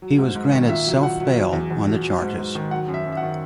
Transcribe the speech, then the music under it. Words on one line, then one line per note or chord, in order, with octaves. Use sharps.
He was granted self bail on the charges.
F#3
G#2
G#2
D#3
A#2 E5
F#3
A#2 F#5
F#3
F#3
E2
E2
B2
F#3
G#2
G#2
D#3
F#3 F#5
F#2
E5
F#2
E5
F#5
D#3